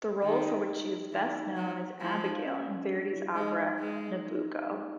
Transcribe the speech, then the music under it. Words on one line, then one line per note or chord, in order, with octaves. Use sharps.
The role for which she is best known is Abigaille in Verdi's opera "Nabucco".
D#3 D#4
E3
F#3
F3 E4
D#4
C#4
C#4
D4
E4
G#3 D#4
D#4
G#3